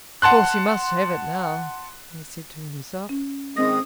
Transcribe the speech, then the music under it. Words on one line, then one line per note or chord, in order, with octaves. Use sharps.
"Of course he must have it now," he said to himself.
F#5 A5 C6 F#6
C#4
D#3 G#3 C4 D#6 A#6